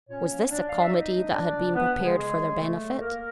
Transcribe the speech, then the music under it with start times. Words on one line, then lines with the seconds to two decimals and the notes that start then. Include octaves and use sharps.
Was this a comedy that had been prepared for their benefit?
0.09 A#2 C#4 C#5
0.30 F3 A#3
0.51 A#2 D4 D5
0.70 F3 A3 D4 F5
0.81 E5
0.92 A#2 D#4 D#5
1.13 F3 A3 D4
1.34 C#2 D4 D5
1.55 C#3 F3
1.75 C#2 B3 B4
1.97 C#3 F3
2.03 G#3 G#4
2.17 C#3 G#3 G#4
2.38 F#3 A#3
2.59 C#3 A3 A4
2.80 F#3 A#3
3.01 D2 A#3 A#4